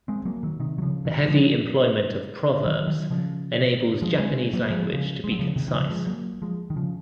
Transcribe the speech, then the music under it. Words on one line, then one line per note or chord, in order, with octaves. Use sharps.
The heavy employment of proverbs enables Japanese language to be concise.
G#3 C4
F#3 A#3
D#3 F#3
C3 D#3
F#3
C#3 F3
D#3 F#3
F3 G#3
D#3 F#3
D#3 F#3
C#3 F3
F3 G#3
G#3 C4
F#3 A#3
F3 G#3
C#3 F3
G#3
F#3
C#3 F3
C3 D#3
D#3
C#3 F3
F3 G#3
F#3 A#3
F3 G#3
D#3
C#3 F3